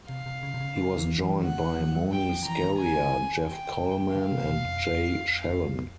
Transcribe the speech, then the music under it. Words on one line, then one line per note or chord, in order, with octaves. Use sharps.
He was joined by Moni Scaria, Jeff Kollman and Jay Schellen.
C3 F5
C3
C#3
C3
C#3
D3
E3
E3
D#3 F#5
E3
F3
F#3
F#3 G5
F3
E3 A#5
D#3
G#5
G5
D3 F5
C3
B2
F2
F2